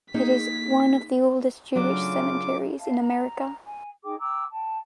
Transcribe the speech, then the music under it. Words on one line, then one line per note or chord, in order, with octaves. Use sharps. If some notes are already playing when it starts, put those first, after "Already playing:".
It is one of the oldest Jewish cemeteries in America.
A#3 D#4 G#4 G#6 B6
C#3 F#3 A3 D4 F4 D6
E5 F5 A5
A#5
G#5
D#4 G#4 G5 D6
G5 A#5 D6 E6
G5 A5